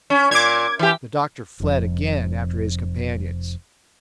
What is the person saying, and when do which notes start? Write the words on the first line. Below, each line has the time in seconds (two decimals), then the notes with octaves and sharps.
The doctor fled again after his companions.
0.10 C#4
0.31 A#2 D6 G#6
0.79 E3 G4
1.60 F1 F2